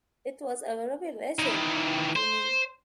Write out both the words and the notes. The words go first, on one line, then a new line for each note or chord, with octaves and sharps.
It was a revelation to me.
D#3 E3
C5